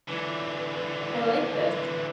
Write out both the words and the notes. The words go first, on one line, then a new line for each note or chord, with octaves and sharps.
I like this.
D3 E3